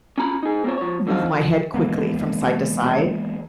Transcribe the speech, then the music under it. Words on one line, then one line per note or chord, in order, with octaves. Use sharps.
move my head quickly from side-to-side,
C#4 F4 A#5 B5
D#4 G#4
A#3 C4 F4 C#5
F3 C#5
A2 D3 C4 D#4 F4 F5
F3
E3 G#3 A#3 B3